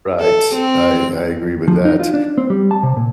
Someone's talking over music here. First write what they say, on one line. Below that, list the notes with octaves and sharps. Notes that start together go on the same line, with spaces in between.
Right, I I agree with that,
A4
C4
F3
D#4
F4
D4
C4
G3
A5
C3
A#2